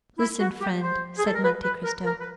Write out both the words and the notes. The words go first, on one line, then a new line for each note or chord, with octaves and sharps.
"Listen, friend," said Monte Cristo.
E4
F#4
G4
C5
G#4
A4
A#4
B4
B4
A#4
A#4
B4